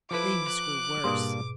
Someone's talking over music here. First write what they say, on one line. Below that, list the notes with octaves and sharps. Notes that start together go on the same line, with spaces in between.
Things grew worse.
F3 E4 A4 B4 D6
F#6
G#2 B2 G3 A#3 D4